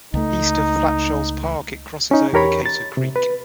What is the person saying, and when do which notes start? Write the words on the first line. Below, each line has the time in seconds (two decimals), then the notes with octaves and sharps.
East of Flat Shoals Park, it crosses over Cater Creek.
0.14 C#2 A3 D#4
2.11 C#4 D#4
2.33 E2 G4 A#4 C#5 B5
2.66 A6
2.97 C3
3.16 B4